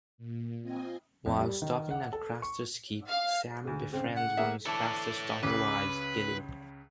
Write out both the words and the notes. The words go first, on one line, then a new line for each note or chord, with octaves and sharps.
While stopping at Craster's Keep, Sam befriends one of Craster's daughter-wives, Gilly.
A#2
C4 F4 D#5 G#5
F2
G3
D#3
F#5
A4
C#6
F5
D2 G#2
G#2 C#3 C4
F#5
A#3 G#4 E5
D3 E3 A4 C#5 A5
C#2 C#3 G4 B4